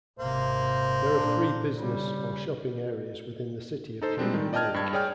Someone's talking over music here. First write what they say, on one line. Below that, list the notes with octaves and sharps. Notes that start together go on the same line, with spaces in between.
There are three business or shopping areas within the City of Canyon Lake.
G#1 C3 A#3 C5
A#2 D4
C#3 G3
D#4 A4 C5
G3 G#3 C4 D4
D#3
D5 D#5 G5 A5 F6 G#6
G2 G#6
G#4 C#5 D5 G5 F6